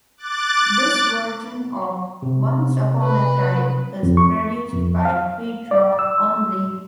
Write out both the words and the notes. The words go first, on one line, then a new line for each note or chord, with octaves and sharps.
This version of "Once Upon a Time" is produced by Pete Rock only.
D6 F#6 A6
C3
B4
F2
C#6
F2
F5
D5
E6